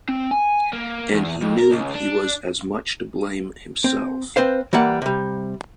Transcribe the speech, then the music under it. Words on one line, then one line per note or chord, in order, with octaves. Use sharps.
And he knew he was as much to blame himself.
C4
G#5
A#3
E2
F2
A#4
C#2
D4
C4
C4 B4 C5 F5
E3 G3 A#3 F#5
C3 G3